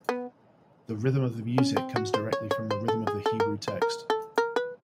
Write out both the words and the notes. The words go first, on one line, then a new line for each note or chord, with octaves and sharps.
The rhythm of the music comes directly from the rhythm of the Hebrew text.
B3
C#4
C4
F#4
C5
C#5
C#5
C5
A4
G#4
A4
A#4
C5
A#4
A4
A#4
B4